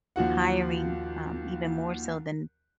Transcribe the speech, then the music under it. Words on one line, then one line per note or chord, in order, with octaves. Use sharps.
hiring, um, even more so than
D#2 F3 F#4 F#5